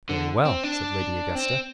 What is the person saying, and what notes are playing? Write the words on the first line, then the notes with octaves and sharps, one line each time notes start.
"Very well," said Lady Augusta.
D3
C4
D4
C4